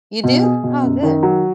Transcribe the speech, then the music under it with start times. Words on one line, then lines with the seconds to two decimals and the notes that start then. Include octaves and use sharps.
You do? Oh, good.
0.24 B2
0.43 G#4
0.63 B2
0.83 F#2
1.03 D#3
1.23 F#3